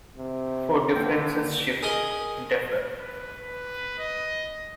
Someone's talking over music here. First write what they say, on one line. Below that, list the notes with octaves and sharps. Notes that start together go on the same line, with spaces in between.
For differences shift, defer.
C3
D3 A#3 G5
G#4 A#4 D#5
B4
B4
D#5